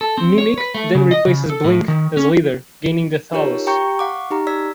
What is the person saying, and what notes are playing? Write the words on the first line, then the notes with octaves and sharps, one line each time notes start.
Mimic then replaces Blink as leader, gaining the Tallus.
A4
C4
C#5
B4
A3
C#3
D#5
C#3
A4
A2
D#3
C#4
D#4 F4 G4 A#4 C#5
G4 G5 A#5 C#6 G6
F5 F#5 C#6 D6
D#4 G4 A#5 F6
D5 E6 B6